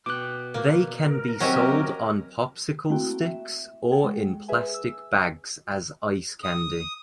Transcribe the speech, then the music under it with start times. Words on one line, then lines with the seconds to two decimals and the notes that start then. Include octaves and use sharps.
They can be sold on popsicle sticks or in plastic bags as ice candy.
0.06 B2 G5 D6 F#6
0.54 A#3 D5
1.06 A#4
1.40 F#3 C4 C#4 G4 D#5 E5 G5 A#5
2.90 A3 A#3 C4 E4 F#4 G5
3.21 E5
3.92 G#4 A4 F#5 G5
4.04 G#3
4.48 G#4 B4 E5 G#5
4.74 E6
6.43 D#6